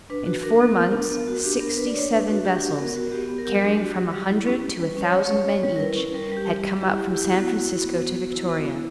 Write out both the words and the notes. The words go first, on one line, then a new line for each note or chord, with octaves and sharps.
In four months sixty-seven vessels, carrying from a hundred to a thousand men each, had come up from San Francisco to Victoria.
D4 B4
F#4
D4 A#4
B3
B3
D4
B3
F#4
D4 G4
B3 A#4
D4 B4
D5
D4 C#5
D4 B4
F#4
D4 G4
F#4
B3 A#4
F#4
B3 G4
B3
A#4
F#3 G4
D4
F#4
F#3
G3
E4
C#4
C#4
G3 B4
C#4
C#5
G3
C#5
C#4
C#4 C#5
G3
A#4
E4 B4
C#4
G3 A#4
G3
G4
G3
G4
G3
E4 G4
E4 G4
E4 G4
B3 F#4
E4
E4
B3
B3
B3
E4
B3
E4